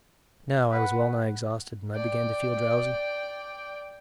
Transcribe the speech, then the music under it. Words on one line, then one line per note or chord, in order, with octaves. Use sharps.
Now I was well-nigh exhausted, and began to feel drowsy.
B4 F#5
D5 G5